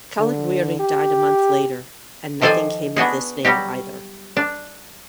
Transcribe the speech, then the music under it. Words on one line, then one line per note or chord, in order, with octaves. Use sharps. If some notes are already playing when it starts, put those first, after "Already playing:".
Caliguiri died a month later, and nothing came of this name, either.
D3
G4
D#3 F3 A4 C5 D5 G#5
B3 D4 F#4 G#4
F#3 G3 F#4 G4
D4